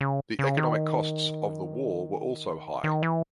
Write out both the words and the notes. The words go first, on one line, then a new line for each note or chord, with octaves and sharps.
The economic costs of the war were also high.
C#3
C#3
D#3
D#3
E3